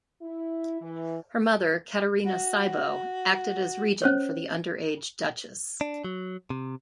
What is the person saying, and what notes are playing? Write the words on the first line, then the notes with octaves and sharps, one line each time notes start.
Her mother Caterina Cybo acted as regent for the underage Duchess.
E4
E3
F#4
C#4 C5 C#5
D4
F#3
C3